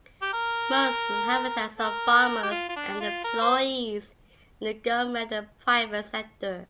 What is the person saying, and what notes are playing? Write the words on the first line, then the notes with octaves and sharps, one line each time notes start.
Most inhabitants are farmers and employees in government and private sector.
G4
A#4
A#4
G4
F4
F4
D4
F4
A#4
C5